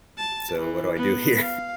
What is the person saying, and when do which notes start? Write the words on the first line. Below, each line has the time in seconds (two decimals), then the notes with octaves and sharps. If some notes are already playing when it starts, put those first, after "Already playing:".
So, what do I do here?
0.18 A5
0.59 E3
0.97 B3
1.42 F5